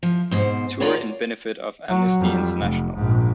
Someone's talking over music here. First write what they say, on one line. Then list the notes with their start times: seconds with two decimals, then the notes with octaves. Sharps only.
Tour in benefit of Amnesty International.
0.03 F3
0.31 G#2 B2 C5
0.80 F4 F#4 G#4 A#4 C#5 D5
1.89 F#3
2.19 F2 G3
2.61 F1
2.95 A#1 G#2